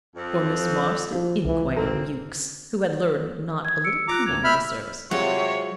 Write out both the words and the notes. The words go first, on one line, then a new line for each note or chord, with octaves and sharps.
"For Miss Marston?" inquired Mewks, who had learned not a little cunning in the service.
F2
F3
F3 F4
C2 E3
G#1 A#3 C4 A4 A#5
G#6
E6 C#7 D7
F4 A#5 D6 F#6
D2 G#6 F7
E5 B5 F6 G6
C3 F#3 G#3 F4 C#5 F#5